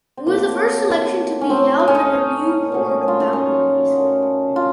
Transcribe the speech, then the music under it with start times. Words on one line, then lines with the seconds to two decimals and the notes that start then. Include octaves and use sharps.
It was the first election to be held under new ward boundaries.
0.17 C4
0.26 C3 F#3 A3 A#3
1.41 C#4
1.49 A2 A3 C4
1.79 D#4
1.88 C#4
1.95 D#4
2.72 A#2 F#3 A3
3.08 F4
3.20 D#4
3.33 C#4
3.96 A#2 F#3 A3
4.56 F4